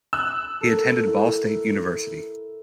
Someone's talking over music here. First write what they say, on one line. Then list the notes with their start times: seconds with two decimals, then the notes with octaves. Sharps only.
He attended Ball State University.
0.13 E6 F#6
0.61 A4 A#4
1.07 E4